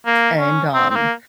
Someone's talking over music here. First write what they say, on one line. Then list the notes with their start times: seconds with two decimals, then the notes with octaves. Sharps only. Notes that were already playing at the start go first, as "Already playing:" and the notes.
and, um,
0.06 A#3
0.39 C#4
0.74 C4
0.90 C4
0.96 A#3